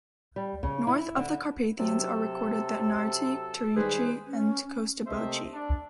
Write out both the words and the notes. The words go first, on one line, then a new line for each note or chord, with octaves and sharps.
North of the Carpathians are recorded the Anarti, Teurisci and Costoboci.
G3
C#3
E4
D3
C3 F#3 A4
D#3 G3 G#3 G#4 B4 C5
C#4
C3 A3 A#3 C5 D#5 E5
D4